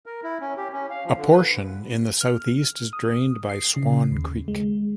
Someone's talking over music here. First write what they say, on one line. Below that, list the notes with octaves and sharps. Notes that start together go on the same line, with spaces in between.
A portion in the southeast is drained by Swan Creek.
A#4
E4
C#4
G4
C#4
F5
F3
D3
B4
F6
D#6
C7
C#3
D#2
G#3